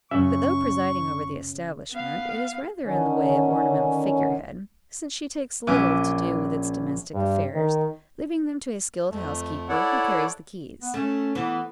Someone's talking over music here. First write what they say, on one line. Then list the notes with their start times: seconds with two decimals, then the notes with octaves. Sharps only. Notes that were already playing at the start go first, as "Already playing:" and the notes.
But, though presiding over the establishment, it is rather in the way of ornamental figure-head; since she takes little to do with its domestic affairs, leaving them to a skilled housekeeper who carries the keys.
0.11 F#2 C#3 E5 C#6
1.91 B3 F5
2.86 D3 D#3 C#4
5.67 A#1 C#4 E5 D6 F#6 D#7
7.14 G2
7.54 D#3
9.10 F2 A3
9.69 E4 A4 C#5 D5 F#5
10.82 B3
10.94 A3 C#4
11.35 E3 B3